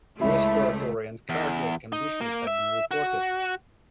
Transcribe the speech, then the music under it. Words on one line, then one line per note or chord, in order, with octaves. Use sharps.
Respiratory and cardiac conditions have been reported.
C#2 A3 E4
E2
D#4
A#3
E5
F#4